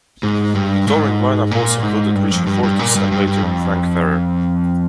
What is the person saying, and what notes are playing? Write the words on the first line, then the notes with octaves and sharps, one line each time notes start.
The touring lineup also included Richard Fortus and later, Frank Ferrer.
G#2
G2
G#2
A#2
G#2
G2
F2
G2
G2
A#2
G2
G2
G2
F2